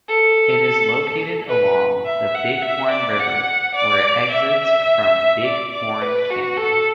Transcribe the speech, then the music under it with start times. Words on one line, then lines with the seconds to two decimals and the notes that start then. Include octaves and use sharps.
It is located along the Bighorn River where it exits from Bighorn Canyon.
0.09 A4
1.49 B4
2.06 E5
2.34 F#5
2.62 E5
2.91 D5
3.19 F#5
3.75 D5
4.31 E5
5.45 D5
5.73 D5
6.02 B4
6.30 F#4
6.57 A4